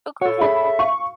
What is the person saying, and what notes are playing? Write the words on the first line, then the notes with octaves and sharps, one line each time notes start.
Oh, go ahead, no.
A4 C#5
G#4 E5 B5
F5 C#6